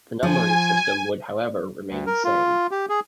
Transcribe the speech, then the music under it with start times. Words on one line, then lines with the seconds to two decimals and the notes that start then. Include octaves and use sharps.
The numbering system would however remain the same.
0.23 F3 G#5
1.89 D2
2.07 A#4
2.24 F4
2.71 G4
2.89 G#4